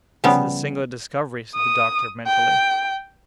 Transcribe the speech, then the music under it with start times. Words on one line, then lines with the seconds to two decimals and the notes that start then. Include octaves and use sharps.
"This is a singular discovery!" said the doctor, mentally.
0.24 C#3 F3 G3 B3
1.55 D#6
2.27 G5